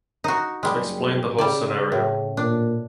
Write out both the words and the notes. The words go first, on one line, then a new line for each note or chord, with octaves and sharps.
Explain the whole scenario.
D#4 F#4
F#1 G3 G#3
C#3 G3 D5
A2
A#2 D4